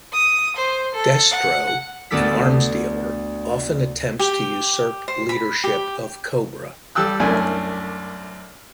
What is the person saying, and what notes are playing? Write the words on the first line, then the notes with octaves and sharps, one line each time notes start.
Destro, an arms dealer, often attempts to usurp leadership of Cobra.
D#6
C5
A4
F#5
D2 B3 D4 A4 E6 B6
G4
C5
B5
G4
G3 A4 G5 E6 F#6
C2 F#2 A3 D4 G#5